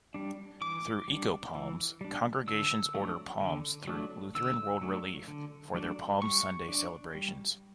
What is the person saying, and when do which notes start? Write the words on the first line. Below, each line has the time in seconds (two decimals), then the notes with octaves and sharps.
Through Eco-Palms, congregations order palms through Lutheran World Relief for their Palm Sunday celebrations.
0.14 G3 D4
0.61 E3 D6
1.08 G3 D4
1.55 E3
2.01 G3 D4
2.47 D3 E6
2.95 F#3 A3 D4
3.41 D3
3.88 F#3 A3 D4
4.35 D3 E6
4.82 F#3 A3 D4
5.28 D3
5.74 F#3 A3 D4
6.22 G3 C#6
6.69 D4
7.15 G3